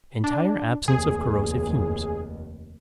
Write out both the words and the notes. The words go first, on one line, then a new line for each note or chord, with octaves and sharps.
Entire absence of corrosive fumes.
D4
F1 D#2 G#4